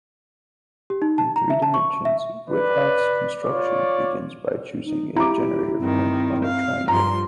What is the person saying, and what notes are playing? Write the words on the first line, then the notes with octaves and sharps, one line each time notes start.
In three dimensions, Wythoff's construction begins by choosing a "generator point" on the triangle.
G4
D#4
A5
A#5
E5
A5
C#6
E5
B4 D5
F4 C#5 D5 D6
D#4
E4 G4 A#5 D6
G2 D#3 C4
F5
G2 F3 A#5 C6